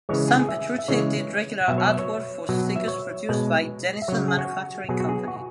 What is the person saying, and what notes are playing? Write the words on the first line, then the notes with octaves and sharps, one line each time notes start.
Sam Petrucci did regular artwork for stickers produced by Dennison Manufacturing Company.
C#3 E3 G#3 C#5
G#4
G#4
E5
E5
C#3 E3 G#3 C#5
B2 F#3 E5
C#5
E5
C#5
B2 F#3
E5
C#5
B2 G#3
E5
C#3 F#3 C#5
G#4
F#4
B2 F#3 G#4
F#4
G#4
F#4